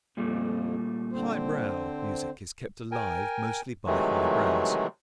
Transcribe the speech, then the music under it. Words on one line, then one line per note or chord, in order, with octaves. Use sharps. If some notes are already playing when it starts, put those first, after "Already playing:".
"Highbrow" music is kept alive mostly by highbrows.
F2 A#2 G3 A3
D3 C4 C5
A#4 G5 G#5
C3 D#3 E3 F#3 G#3 A3